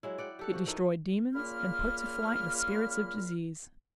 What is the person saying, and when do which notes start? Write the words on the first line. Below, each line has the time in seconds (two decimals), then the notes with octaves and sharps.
It destroyed demons, and put to flight the spirits of disease.
0.03 F#3 G#3 E4
0.18 D5 F#5 G5
0.39 G4 A4 F#5
0.51 F3 F#4 G4
0.67 D#4 E4 A4 A#4
1.34 A#2 C#3 A#3 F4 B5 F6